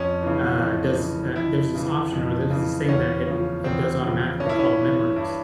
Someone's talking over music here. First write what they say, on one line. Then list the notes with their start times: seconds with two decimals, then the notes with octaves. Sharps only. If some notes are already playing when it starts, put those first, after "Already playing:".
uh, does, uh There's this option, or there's this thing that it it does automatically called Memories.
Already playing: F2 C#4
0.22 C#3 E3
0.60 F2
0.98 C#3 E3
1.36 F2 E4
1.74 C#3 E3
2.12 F2
2.50 C#3 E3
2.88 E2 C#4
3.26 C#3 F3
3.64 E2 C4
4.02 C#3 F3
4.40 G2 C#4
4.49 E4
4.59 C#4
4.78 E3
5.16 G2 E4